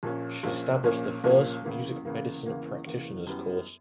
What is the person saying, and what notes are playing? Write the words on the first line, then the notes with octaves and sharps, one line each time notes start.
She established the first music medicine practitioners course.
A#1 A#2 A#3 C#4
A#1 A#2 A#3 C#4
A#1 A#2 A#3 C#4
A#1 A#2 A#3 C#4
E2 C#3 E3 A#3
E2 C#3 E3 A#3
E2 C#3 E3 A#3
E2 C#3 E3 A#3
F#2 E3 G3 B3